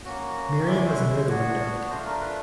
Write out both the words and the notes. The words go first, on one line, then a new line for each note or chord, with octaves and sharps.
Miriam was near the window.
A#3 C#4 F#4
G#3 C#4 E4 D5
D5
C5
B4
C5
B3 D4 F#4 C#5
A3 D4 F4 C5
A#4
B4